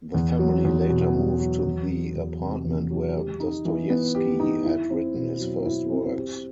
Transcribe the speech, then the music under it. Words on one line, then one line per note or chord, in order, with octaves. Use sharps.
The family later moved to the apartment where Dostoyevsky had written his first works.
E2
F#3
E2
B2
E2
F#3
E2
F#3
E2
C3
E2
F#3
G4
D#4
E3
B3
G4
D#4
E4
C4
B2
F#3
E4
C4
G4